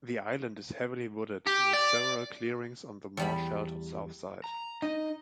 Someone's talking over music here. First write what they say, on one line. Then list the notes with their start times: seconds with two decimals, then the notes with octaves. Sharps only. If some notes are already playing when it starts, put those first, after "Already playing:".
The island is heavily wooded with several clearings on the more sheltered south side.
1.47 G4
1.73 D5
3.17 E2 G3 B5
4.44 A#5
4.82 D#4 D#5